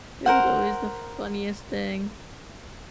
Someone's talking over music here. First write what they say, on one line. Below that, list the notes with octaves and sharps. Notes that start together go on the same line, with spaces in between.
It was always the funniest thing.
A#4 C5 F#5